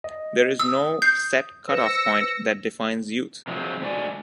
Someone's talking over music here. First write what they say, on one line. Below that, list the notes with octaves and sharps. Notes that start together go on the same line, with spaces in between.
There is no set cut off point that defines youth.
D#5
D#6 E6
G6 C7
B4 C5 E6 A#6 C#7
C3 F3 F#3 G#3 A3 C4
D3 G#3 F#4 D5 G#5